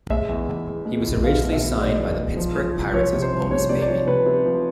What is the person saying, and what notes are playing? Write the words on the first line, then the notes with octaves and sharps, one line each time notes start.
He was originally signed by the Pittsburgh Pirates as a bonus baby.
G#3 E5
E2
E2
E2
G#3
E2
B2 F5
B2
E5
B2
G#3 D5
D#5
E2 D5
G#3
F3
F3
C2
F3 C#5
C3
C5
C2
C3 C#5
C3 D5
D5
F3 C#5
C3 B4
C3
F3